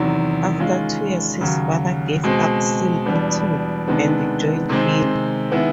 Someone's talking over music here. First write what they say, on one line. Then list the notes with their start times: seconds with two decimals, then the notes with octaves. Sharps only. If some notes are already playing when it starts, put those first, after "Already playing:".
After two years, his father gave up silk, too, and joined him.
Already playing: E2 C3 D#3 F#3
0.58 D#3 G#3 C#4 F4
1.41 D#2 C#3 F#3
2.23 B2 G#3 C4
3.06 E2 B2 G3 B3 D4
3.88 C3 D#3 G#3 B3 D4
4.69 C3 D#3 G#3 C4
5.52 D#3 G#3 B3 E4